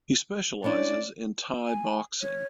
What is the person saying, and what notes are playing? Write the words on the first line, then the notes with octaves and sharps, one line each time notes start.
He specializes in Thai boxing.
C#4 D4 E4 D5
G#5
C#5